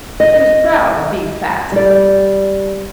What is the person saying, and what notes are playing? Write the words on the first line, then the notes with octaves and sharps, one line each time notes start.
She was proud of being fat.
D#5
G3 D5